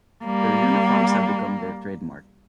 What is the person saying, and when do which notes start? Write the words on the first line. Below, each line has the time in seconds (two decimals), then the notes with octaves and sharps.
Their uniforms have become their trademark.
0.25 G3 A#3